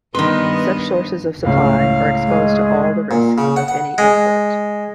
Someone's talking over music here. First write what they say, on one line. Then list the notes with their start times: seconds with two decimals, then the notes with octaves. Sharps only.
Such sources of supply are exposed to all the risks of any import.
0.15 G2 D#3 B3 B4 D#5 C6
1.45 C#2 A2 F5
2.27 G#3
3.11 A#2
3.38 C#3
3.56 F#5
3.68 F#5
3.98 G#3